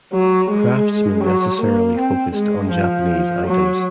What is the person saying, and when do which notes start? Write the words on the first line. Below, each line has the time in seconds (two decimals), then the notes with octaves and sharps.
Craftsmen necessarily focused on Japanese items.
0.13 F#3
0.51 G#3
1.24 F#3
1.62 A#3
1.98 C4
2.35 G#3
2.73 F3
3.46 F#3